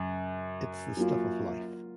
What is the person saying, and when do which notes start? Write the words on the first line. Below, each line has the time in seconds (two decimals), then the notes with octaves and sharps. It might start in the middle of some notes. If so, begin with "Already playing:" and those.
It's the stuff of life.
Already playing: F#2 C#3
0.97 F#3 A#3 F4